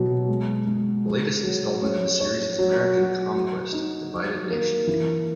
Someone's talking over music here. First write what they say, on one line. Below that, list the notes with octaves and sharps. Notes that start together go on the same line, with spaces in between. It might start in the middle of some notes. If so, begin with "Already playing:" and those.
The latest installment in the series is "American Conquest: Divided Nation".
Already playing: B2 F#3
G#3
G#3
G#4
F#3
C#4
C#5
F#3
F#4
F#4
D#4
F#3
A#3
E3